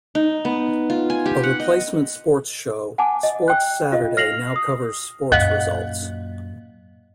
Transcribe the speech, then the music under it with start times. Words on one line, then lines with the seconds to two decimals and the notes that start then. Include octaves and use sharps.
A replacement sports show, "Sports Saturday" now covers sports results.
0.15 D#4
0.45 B3
0.90 F4
1.10 G#5
1.26 G4
1.44 F#5
1.60 D#5
2.98 F#5 G#5 A5 D6
3.23 D#5
3.48 G5 F#6
3.92 F4 D#5 F5
4.17 F6 A#6 C7 F7 F#7
4.56 D#6
5.32 F#2 A#2 D#5 F5 F#5